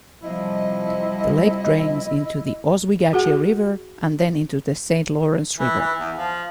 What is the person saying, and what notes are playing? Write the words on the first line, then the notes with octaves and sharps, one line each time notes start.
The lake drains into the Oswegatchie River and then into the Saint Lawrence River.
C3 F3 G3 E4 D#5
F#4 G#4 F#5
E3
E3
E2
F3